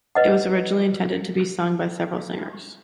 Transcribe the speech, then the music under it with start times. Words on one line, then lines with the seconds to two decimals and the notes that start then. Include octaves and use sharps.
It was originally intended to be sung by several singers.
0.15 B4 D#5 F#5